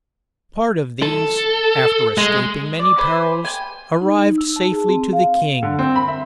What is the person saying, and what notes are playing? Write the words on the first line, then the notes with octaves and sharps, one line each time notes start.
Part of these, after escaping many perils, arrived safely to the king.
A4
G#3
D5
B4 C5 G#5 B5
G5 G#5
D#4
D#4
E6
A5
G#4
C4
F5
D3
C4
B5
E5